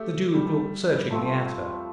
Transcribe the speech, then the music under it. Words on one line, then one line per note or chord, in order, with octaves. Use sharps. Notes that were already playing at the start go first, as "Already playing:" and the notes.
The Duke looked searchingly at her.
Already playing: A3 G4 E5
G3
F3 A3 C4